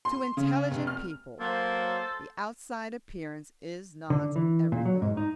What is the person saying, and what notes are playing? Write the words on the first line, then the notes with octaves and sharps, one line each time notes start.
"To intelligent people the outside appearance is not everything."
C6
C#3
F1
F6
F#3 A#3 A4 C5
D3
E3
A#2
F#3
G#2
D#4